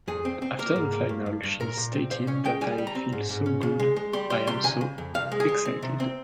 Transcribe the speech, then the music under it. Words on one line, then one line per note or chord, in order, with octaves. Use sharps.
After the final she stated that I feel so good, I am so excited.
F2 G#4
C4
C4
A#3 A#4
G#2
A#3
G2
G2
G2
A#2 A#4
A#2
C4
A#2 C5
C#4 C#5
G#3 G5
G3 G#5
G3
A#5
C4
G#2
G#2
C#4
C#3
G#3
G#3
G3 C6
G3 C6
C3 C6
C#3 G#5
C#3
F2
C2 F5
G#3
G#4
G#3
C4
C3
C4